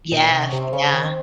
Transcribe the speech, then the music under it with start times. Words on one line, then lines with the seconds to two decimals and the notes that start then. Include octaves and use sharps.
Yes, yeah.
0.11 A#2 D#4
0.27 D#4
0.32 C3
0.42 C#4
0.52 C3
0.57 C4
0.73 C#3 C#4
0.87 C#4
0.93 D#3
1.03 C4